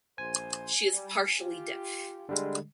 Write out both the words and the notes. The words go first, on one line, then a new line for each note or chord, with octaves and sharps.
She is partially deaf.
A#1 C5 G#5
G3
F4 G4
D3 G3 G#3